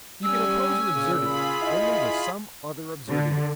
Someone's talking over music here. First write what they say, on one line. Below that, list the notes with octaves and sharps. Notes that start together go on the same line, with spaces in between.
You can oppose an absurdity only with some other absurdity.
G3 C#4 G#5 E6
A#2 C#3
F4 G#4 B5
E4 D#5
D3